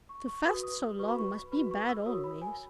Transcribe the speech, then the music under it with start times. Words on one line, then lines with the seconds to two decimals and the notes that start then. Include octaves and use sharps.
"To fast so long must be bad always."
0.09 C#6
0.27 C#6
0.44 F#4 B4 D#6
0.63 D#6
0.99 F#4 B4 C#6
1.08 B5
1.18 C#6
1.52 B4 B5
1.56 F#4
1.71 C#6
1.89 E6
2.06 F#4 A#4 C#5 D#6
2.24 B5
2.42 G#5